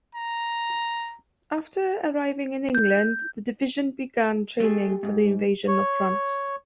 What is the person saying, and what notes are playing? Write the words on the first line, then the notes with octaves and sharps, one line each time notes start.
After arriving in England, the division began training for the invasion of France.
A#5
G6
A3 G4 G#4
G#2
C#5